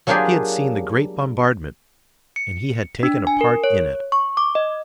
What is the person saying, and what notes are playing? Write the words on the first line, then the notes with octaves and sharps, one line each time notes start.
He had seen the great bombardment, and he had taken a part in it.
F#3 A#3 D4 F4 G4 G#4
C#7
D4
G#5
A#4
C#5
C#6
D6
D#5